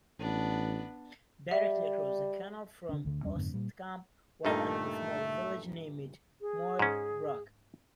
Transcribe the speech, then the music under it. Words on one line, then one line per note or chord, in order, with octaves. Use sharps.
Directly across the canal from Oostkamp was another small village named Moerbrugge.
A1 B3 D4
G3 E5
D3 D4
D2 D3
E2 G3 C#4 D4
F2 G#2 D3 B3
A#2 G3
G2 A#2 A3 D#4
G#4
G#2 C#4